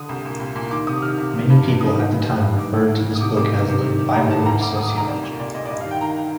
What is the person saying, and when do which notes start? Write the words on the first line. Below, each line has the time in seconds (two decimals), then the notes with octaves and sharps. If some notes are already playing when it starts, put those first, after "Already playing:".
Many people at the time referred to this book as the "Bible of Sociology".
Already playing: D3 D#6
0.09 C2
0.25 A#2
0.40 C2
0.55 A#2
0.71 D#3 D6
0.87 C3 D#6
1.02 D#3 F6
1.18 C3
1.33 D#3
1.50 G2
1.65 G2
1.81 D#3 D#6
1.96 D#3
2.12 G2
2.27 D#3
2.43 G2
2.58 D#3 D6
2.73 D2
2.90 D#3
3.06 D#3
3.15 D#6
3.20 C3 D6
3.37 C2 D6
3.52 D#3
3.68 C3
3.84 D#3
3.99 D#3
4.14 G2 A#5
4.30 D#3 A5
4.46 D2 A#5
4.61 D2 D6
4.77 D2 D#6
4.88 D6
4.92 D#3
4.97 A#5
5.08 C2 D5
5.23 A#2
5.39 C2 D5
5.54 A#2 D#5
5.66 D5
5.70 G2 D#5
5.81 F5
5.85 D#3
5.91 G5
6.01 D#3 A#5
6.17 D#3